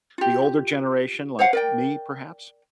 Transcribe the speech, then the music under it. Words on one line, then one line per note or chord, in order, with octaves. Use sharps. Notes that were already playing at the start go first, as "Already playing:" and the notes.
the older generation, like me, perhaps?
F4 G4
C5 C#5 F5 F#5
A#4 D5 G5